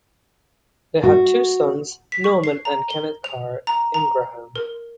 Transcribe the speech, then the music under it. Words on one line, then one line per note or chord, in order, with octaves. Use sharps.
They had two sons, Norman and Kenneth Carr Ingraham.
F#4
B6
C#6
C7
A#5
G7
F7
A#5
A#5
A#4